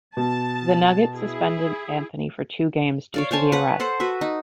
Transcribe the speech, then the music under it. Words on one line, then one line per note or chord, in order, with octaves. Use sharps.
The Nuggets suspended Anthony for two games due to the arrest.
B2 A5
E4 G#4
C#5 D5 F5
C5 C#5 G#5 A5
B4 F#5
A4 C5 F#5
F#4 B4 E5
D#4